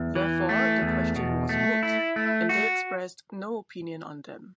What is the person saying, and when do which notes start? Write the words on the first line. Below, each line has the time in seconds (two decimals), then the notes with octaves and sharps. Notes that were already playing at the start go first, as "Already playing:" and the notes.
Therefore, the question was moot, and they expressed no opinion on them.
Already playing: E2
0.15 E3
0.49 A3
0.82 E2
1.16 B2
1.49 A3
1.83 E4
2.16 A3
2.49 F#4